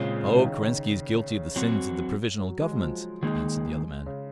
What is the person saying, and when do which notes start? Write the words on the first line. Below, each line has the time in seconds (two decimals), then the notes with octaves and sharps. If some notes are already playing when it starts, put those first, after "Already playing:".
"Oh, Kerensky is guilty of the sins of the Provisional Government," answered the other man.
Already playing: A#2 C#3 G#3 C4 F4
0.29 C#3
0.37 D#3
0.45 C#3
0.53 D#3
0.61 C#3
1.56 F#3 C4 F#4
2.40 F#3
2.61 G#3
2.71 F#3
2.81 F3
3.23 D#3 G#3 A#3 D#4 G#4
3.65 G#3
4.06 C#3